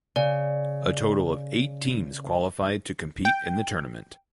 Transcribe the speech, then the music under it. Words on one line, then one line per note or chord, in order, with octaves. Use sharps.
A total of eight teams qualified to compete in the tournament.
C#3 D5
G5